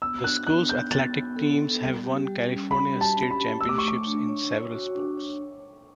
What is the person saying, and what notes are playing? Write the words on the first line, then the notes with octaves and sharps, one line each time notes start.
The school's athletic teams have won California State Championships in several sports.
B3 E6
D4 F#6
B3 F#6
B3 G6
B3 A6
B3
A4
B3
G3
G4
G3
C#4
G3 B5
G4
A5
C#4
B5
G4
A3 E6
D6
C#6
A3 D6
D4
C#5
C#5
F#4
D4
C#5